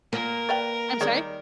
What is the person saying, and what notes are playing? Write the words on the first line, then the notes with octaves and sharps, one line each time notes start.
I'm sorry?
A#2 A#3 A#4
B4 D5 F5 G5
D#3 G3 G#4 C#5 D5